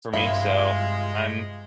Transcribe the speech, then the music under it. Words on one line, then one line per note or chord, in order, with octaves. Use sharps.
for me, so, I'm
G2 C3 G3 G#3 E4 F4